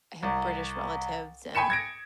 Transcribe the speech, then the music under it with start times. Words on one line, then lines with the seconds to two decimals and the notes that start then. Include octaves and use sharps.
I have British relatives, and
0.23 C2
1.55 G5 G#5 B5 C#7 E7
1.70 G#6 A#6 D7